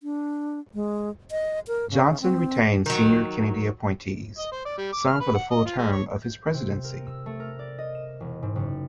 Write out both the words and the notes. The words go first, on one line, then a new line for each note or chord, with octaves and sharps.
Johnson retained senior Kennedy appointees, some for the full term of his presidency.
D4
G#3
D#5
A#4
C#3
C4
D#3 F#3
D#5
C5
D5
G3
D6
F6
B4
F#5
D#5
F4
G#3
C#5
G6
C3
A#4
E6
A3
A#4
D5
D#5
E7
E1
G#2
F#1